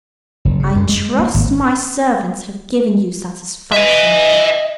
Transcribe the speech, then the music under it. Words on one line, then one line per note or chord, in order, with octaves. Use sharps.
I trust my servants have given you satisfaction.
F#1
C#3
F#2
G#3
A#3
G#1
D#5 E5 G#5